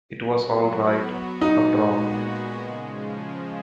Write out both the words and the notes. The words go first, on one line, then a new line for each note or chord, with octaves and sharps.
It was all right, after all.
F#3 B3 F#4
A#2 G#3 B3 D#4 F#4
C#3 F3 G#3